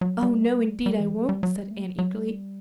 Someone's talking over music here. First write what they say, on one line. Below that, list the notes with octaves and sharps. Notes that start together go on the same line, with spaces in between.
"Oh, no, indeed, I won't," said Anne eagerly.
F#3
G3
G3
E3
F#3
G3
F#3
G3
A3
F#3
F#3
G3